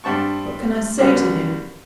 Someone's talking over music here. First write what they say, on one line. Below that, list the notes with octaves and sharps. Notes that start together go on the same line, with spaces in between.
What can I say to him?
G2 C4 A5 C#6
C2 F#2 C#3 G3 B3